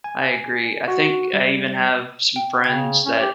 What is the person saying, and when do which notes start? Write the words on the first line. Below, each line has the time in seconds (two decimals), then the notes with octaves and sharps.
I agree, I think I even have some friends that
0.04 G#5
0.88 F#4
1.33 G3
2.36 G5
2.64 C#3 G5 G#6
3.05 C#4
3.20 G4